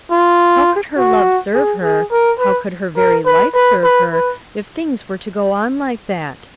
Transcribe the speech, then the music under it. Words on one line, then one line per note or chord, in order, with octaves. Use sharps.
How could her love serve her,--how could her very life serve her, if things were to go on like that?
F4
F#4
G#4
G#4
A#4
B4
A#4
B4
B4
B4
B4